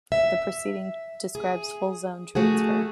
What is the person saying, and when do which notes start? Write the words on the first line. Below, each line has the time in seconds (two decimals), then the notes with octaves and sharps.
The preceding describes full zone transfer.
0.12 E5
1.35 G#4
2.35 A3 F#4 G#4